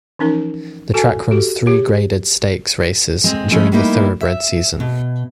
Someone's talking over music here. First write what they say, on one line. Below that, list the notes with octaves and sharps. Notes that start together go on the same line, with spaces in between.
The track runs three graded stakes races during the thoroughbred season.
E3 F3 C#4 D#4 A#4
F#4 A4 G#5 A5
F#4 G4 A4
G4 G#4 C#5
G#3 C4
F3 G#3 A3 C#4 E4
G3 A#3 D#4 E4
E5
B2